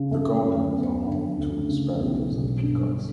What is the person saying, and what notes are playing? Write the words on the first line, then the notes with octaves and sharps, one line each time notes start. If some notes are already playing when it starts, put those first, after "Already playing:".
The gardens are home to sparrows and peacocks.
Already playing: C#3
A3
F#2
B3
D3
D2
C#3
B1
B2
G2
D3